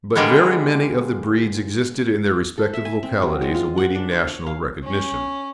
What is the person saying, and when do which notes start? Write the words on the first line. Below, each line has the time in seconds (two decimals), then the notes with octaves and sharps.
But very many of the breeds existed in their respective localities awaiting national recognition.
0.15 D3 G3 G#3 A#3 B3
2.58 A4
2.73 E5
2.85 G#5
3.03 C4
3.23 F#3
3.42 G#3
3.55 F4
3.78 F#5
3.95 D4
4.12 C5
4.27 C#5
4.47 F5
4.83 C#4